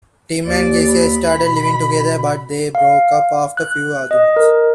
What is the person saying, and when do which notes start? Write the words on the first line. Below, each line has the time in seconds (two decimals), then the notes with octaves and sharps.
Tim and Geisa started living together but they broke up after a few arguments.
0.46 D#2 D5
0.92 B5
1.38 B2
2.75 F5
3.57 F#6
4.11 D#5
4.36 A#4